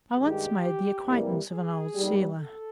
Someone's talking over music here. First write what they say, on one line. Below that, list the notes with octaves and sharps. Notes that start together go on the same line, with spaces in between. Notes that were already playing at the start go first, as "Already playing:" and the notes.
I once made the acquaintance of an old sealer.
G2 D#3 G#3 G4
E2 C3 E3 G3 A#3
G#4
D#2 D#3 G3
A4